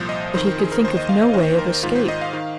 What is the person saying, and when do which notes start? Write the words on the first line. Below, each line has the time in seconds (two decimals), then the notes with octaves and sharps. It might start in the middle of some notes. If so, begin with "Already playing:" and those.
But he could think of no way of escape.
Already playing: C2 A#2 F3 C5
0.09 D#5
0.34 F2 D#3 C5
0.46 A#4
0.59 G#4
0.72 A#4
0.84 D#2 D#3 C5
0.97 D#5
1.09 F5
1.22 D#5
1.34 D#2 D#3 C5
1.58 A#4
1.83 G#2 D#3 F4
1.95 C5
2.08 D#5
2.21 F5
2.33 D#3